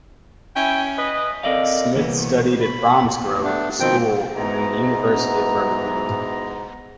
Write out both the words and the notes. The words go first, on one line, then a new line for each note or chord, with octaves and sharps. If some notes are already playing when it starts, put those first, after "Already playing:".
Smith studied at Bromsgrove School and then the University of Birmingham.
C#4 E4 G5
B4 D#5
C4 A4 A#4 D5 D#5 F5
C2 E3 A#3 B3
B5
D#2
A3 B3 D4
B2 D#3 F3 C4 G5
G#2 B2 E3 B3 A#5